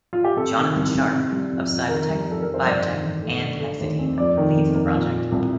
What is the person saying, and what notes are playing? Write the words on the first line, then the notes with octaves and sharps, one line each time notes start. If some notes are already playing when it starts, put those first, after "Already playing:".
Jonathan Sharp, of Cyber-Tec, Biotek, and Hexedene, leads the project.
F4
G4
C3 A4
D#3
C2
C2
C3
G3
F2
F2
D#3 A#4
G3
F2 A4
F2 A#4
C5
G2 D5
D#3
A1
A3
D3
A3
D#2
C4
F2 D5
D#3
F1
A#3
A#2
F3
C2